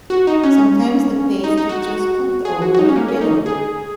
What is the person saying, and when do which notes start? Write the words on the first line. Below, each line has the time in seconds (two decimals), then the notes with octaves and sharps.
Sometimes the paste is just cooked over a griddle.
0.10 F#4
0.27 D#4
0.44 C#4
1.44 D#4
1.57 D#4
1.69 F#4
1.82 F#4
2.45 G#4
2.62 F#4
2.74 F#4
2.79 D#4
2.89 C#4
2.96 A#3
3.08 C#4
3.21 D#4
3.46 G#4